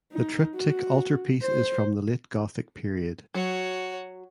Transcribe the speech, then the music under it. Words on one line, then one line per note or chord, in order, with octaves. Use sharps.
The triptych altarpiece is from the Late Gothic period.
D#4
F#4
C5
F#3 F#4 C#5